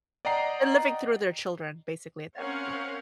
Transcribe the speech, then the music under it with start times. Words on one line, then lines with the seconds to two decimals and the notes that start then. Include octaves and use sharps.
They're living through their children, basically, at that point.
0.25 D5 D#5 F#5 G5 A#5 C7
2.37 C4 C#4 A#4 C#5 F5 F#5